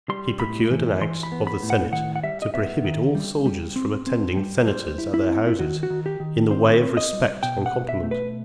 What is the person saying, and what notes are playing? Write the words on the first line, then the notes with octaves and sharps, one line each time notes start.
He procured an act of the senate to prohibit all soldiers from attending senators at their houses, in the way of respect and compliment.
G3 C6
A2 B5
E3
E3 C6
B5
B3
B5
A2
F#5
D#3 F#5
F#5
G3 E5
D#5
B3 E5
D#3
G3
G3
C4
C4
G3
G3 C5
E4
E4
C4
E4
D#3 F#4
F#4
D#3
G4
D#3
C4 C5
C4
D#5
G3
B2 G5
F#5
B2
E5
A3
B4